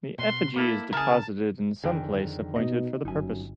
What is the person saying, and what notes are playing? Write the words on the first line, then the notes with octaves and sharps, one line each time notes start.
The effigy is deposited in some place appointed for the purpose.
B2 C6
A#3 E4 A4
C#3 E4 G#4 A#4 A5
F2 D3 D#3 G#4 G5 G#5
B2 D#4 D#5
G1 F#2 D#4 G#5